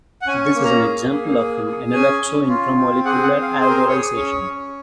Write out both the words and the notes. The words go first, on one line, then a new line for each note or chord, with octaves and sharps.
This is an example of an enolexo intramolecular aldolization.
F#5
C#4 G#5
C#6
A#3
A#5
G#4
A#3
G#4
G#4
C#4 G#5
C#4
F4
C4
G#4 F#5
F#5
C4
F5
G#4 C5
A#4
C5
G#4 C#5
C#4 C#5
C#4